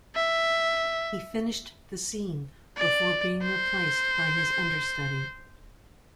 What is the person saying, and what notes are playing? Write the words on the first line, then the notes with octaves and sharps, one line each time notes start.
He finished the scene before being replaced by his understudy.
E5
D5
C5